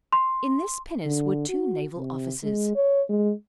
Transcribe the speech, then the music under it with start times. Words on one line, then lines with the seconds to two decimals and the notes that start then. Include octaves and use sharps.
In this pinnace were two naval officers.
0.13 C6
1.06 D3
1.49 F#4
1.97 C3
2.43 G#3
2.75 C#5
3.09 G#3